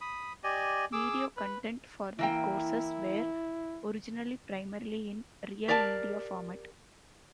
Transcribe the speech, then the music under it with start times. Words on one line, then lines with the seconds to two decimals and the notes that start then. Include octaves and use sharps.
Video content for the courses were originally primarily in RealMedia format.
0.01 B5 D#6
0.44 G4 D5 D#5 G#5
0.93 G#4 D6 E6
1.37 B4
2.19 E3 A#3 E4 G5
5.68 G4 A#4 D5 F5 G#5 A5